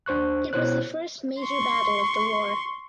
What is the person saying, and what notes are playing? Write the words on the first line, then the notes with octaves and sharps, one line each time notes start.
It was the first major battle of the war.
D#2 D4 C5 C#6 F#6
B2 B3 E4 C5 C#5 F#6
C6 C#6